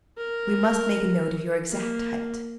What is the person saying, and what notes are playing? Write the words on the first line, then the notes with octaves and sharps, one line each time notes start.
"We must make a note of your exact height."
A#4
A#3